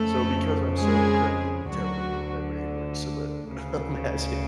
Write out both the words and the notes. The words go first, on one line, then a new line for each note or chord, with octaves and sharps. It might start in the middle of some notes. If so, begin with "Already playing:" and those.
So, because I'm so incredibly intelligent, my brain works so but I'm asking
Already playing: F2 C#3 A3 A4
G#3 G#4
D2 D3 F#3 F#4
D2 C#3